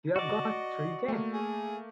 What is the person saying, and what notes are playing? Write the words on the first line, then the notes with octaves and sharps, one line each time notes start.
You’ve got three day?
F#4 D5 D#5
A3 A#3
G#4